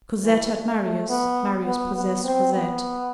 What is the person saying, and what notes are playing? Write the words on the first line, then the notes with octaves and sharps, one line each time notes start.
Cosette had Marius, Marius possessed Cosette.
E3
A3
A3
B3
B3
B3
C4
B3